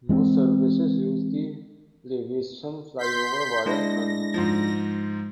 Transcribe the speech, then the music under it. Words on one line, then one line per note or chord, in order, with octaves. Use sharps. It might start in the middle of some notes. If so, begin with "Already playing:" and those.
Most services use the Lewisham flyover via Nunhead.
E3 G#3 A#3 C4
C6 G6 B6
G#3 D4 E4 A#6
G#2 F3